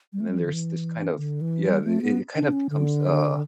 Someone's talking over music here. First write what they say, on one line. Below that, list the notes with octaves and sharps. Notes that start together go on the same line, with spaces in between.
And then there's this kind of Yeah, it it kind of becomes, uh,
G3
A3
G3
E3
D3
E3
D3
E3
G3
A3
B3
D4
C#4
D3